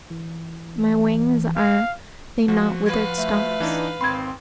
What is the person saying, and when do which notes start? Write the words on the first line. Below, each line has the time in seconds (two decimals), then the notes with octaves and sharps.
My wings, are they not withered stumps?
0.10 E3
1.57 F5
2.48 F3 F4 F#4
2.86 B4 F5 G#6
3.18 A3
3.60 E3 D4 D#4
4.01 G#1 C4 B5 C6 G#6